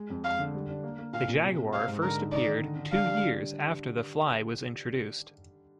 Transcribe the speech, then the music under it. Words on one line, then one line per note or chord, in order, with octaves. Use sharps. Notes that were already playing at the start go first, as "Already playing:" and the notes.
"The Jaguer" first appeared two years after "The Fly" was introduced.
Already playing: G#3
F2
G#3 F5
D3
G3
D4
A#3
A#3
A#2 F5
A#2
C3
C3
C4 F5
G#2
D3 A#4
D#4
D#4 D5
D#3
D3
D3
D4 F5
G3